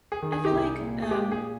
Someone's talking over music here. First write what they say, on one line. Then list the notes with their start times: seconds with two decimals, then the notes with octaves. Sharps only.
I feel like, um,
0.12 G#4
0.22 D#3
0.32 G#4
0.45 G4
0.52 C2
0.58 G#4
0.81 A#2
1.02 G#4
1.11 A#2 G4
1.32 G#4